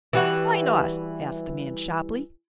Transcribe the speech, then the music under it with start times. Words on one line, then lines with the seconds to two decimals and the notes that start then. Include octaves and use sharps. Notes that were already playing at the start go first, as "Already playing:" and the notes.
"Why not?" asked the man sharply.
0.13 E3 G3 F#4